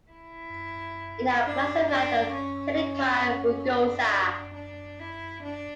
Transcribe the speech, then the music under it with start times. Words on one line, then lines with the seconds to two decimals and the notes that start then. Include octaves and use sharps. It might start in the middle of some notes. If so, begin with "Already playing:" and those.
It now classified as "Tiliqua rugosa".
0.11 E4
1.45 D4
1.89 D4
2.33 C#4
3.22 C#4
3.67 D4
4.55 D4
5.00 E4
5.44 D4